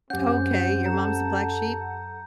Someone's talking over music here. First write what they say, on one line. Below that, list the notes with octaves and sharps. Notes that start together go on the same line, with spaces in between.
Okay, your mom's the black sheep?
F#2 C4 C#4 G4 F#5 G6
A4 A#5